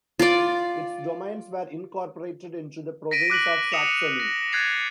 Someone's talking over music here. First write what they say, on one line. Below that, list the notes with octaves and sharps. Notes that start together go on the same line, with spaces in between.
Its domains were incorporated into the Province of Saxony.
F4 D5
A#6 B6 D7 D#7
D6 F#6 B6 F#7
D#6 C#7 E7 F7
A#6
F#6 G#6 A6 C7 F7